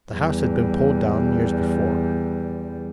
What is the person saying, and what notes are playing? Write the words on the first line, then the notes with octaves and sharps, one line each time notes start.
The house had been pulled down years before.
E2 G3